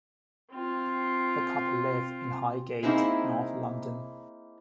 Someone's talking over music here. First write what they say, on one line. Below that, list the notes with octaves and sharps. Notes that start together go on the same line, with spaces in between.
The couple live in Highgate, North London.
C4 F4
A#3 C4 D#4 E4 G#4